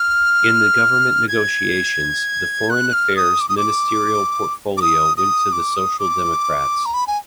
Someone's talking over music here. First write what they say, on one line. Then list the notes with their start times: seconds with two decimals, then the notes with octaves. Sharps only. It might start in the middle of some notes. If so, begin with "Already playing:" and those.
In the government negotiations the Foreign Affairs ministerial portfolio went to the Social Democrats.
Already playing: F6
1.28 G#6
2.70 F#6
2.93 F6
3.16 D#6
3.40 D6
3.49 D#6
3.57 D6
4.77 D6
4.81 D#6
5.17 D#6
5.52 D6
5.76 D#6
5.99 D6
6.85 A#5
6.94 B5
7.07 G#5